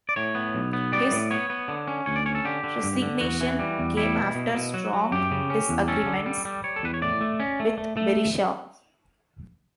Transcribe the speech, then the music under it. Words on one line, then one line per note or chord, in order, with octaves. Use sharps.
His resignation came after strong disagreements with Berisha.
D5
A2 C#5
B3
B1
B3
G3 D5
A2
B3 C#5
B3
D3
C#4
D2 C#5
D5
C#4 C#5
A4
D3 G4
D3
G2
D3
E2 F#4
E3
G3
E2
G3 E4
B2
B2
B2
F#3 F#4
F#3
F#2 G4
C#3
C#4
E2
C#4 A4
D3
G3
G3
G3 C#5
A4
E2 B4
C#5
A2 D5
A3
C#4
A3
A3
A3